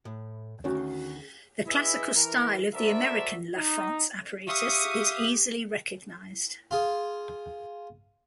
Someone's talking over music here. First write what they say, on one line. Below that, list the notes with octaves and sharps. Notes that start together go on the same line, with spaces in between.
The classical style of the American LaFrance apparatus is easily recognized.
A2
D2 D#3 C#4 F#4
E3 E4 G#4 B4 D#5 E5
E3 A#4
F#4 A4 A#4 C5 D5 E5
D#4
G4 E5 F5 C#6 D#6
F4 G#4